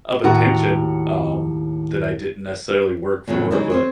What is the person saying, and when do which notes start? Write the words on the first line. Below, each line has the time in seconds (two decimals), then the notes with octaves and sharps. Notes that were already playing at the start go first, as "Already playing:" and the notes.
of attention, um, that I didn't necessarily work for, but
0.24 D#2 A2 F#4 F#5 A#5
3.27 E2 A2 C#3 F#3
3.51 C#3 E3 F#3 G#3 D#4
3.70 C4 C5 C#5